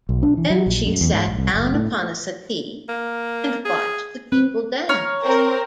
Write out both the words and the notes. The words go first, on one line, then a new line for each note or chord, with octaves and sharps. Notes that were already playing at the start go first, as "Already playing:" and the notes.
Then she sat down upon a settee and watched the people dance.
B1
D4
E3
F#3
A#1
F#2
E2
G#2
A#1
C2
F#1
A2
A#3
G#4
C4 B4
C#5 A#5 F6
C4 A#4